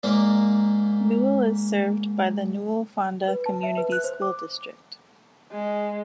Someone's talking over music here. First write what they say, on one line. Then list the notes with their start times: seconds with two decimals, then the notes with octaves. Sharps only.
Newell is served by the Newell-Fonda Community School District.
0.03 G#2 A#3 D5
3.28 B4
3.46 A5
3.63 E5
3.77 B4
3.92 F#6
4.04 C5
4.22 D6
5.52 G#3